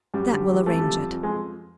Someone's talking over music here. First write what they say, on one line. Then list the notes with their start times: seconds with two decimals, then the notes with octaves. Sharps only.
"That will arrange it."
0.14 F#2 G3
0.33 D3 G3
0.52 E3 G3
0.66 A3
0.73 F2
0.80 G3
0.93 F2
1.12 F2
1.23 G#3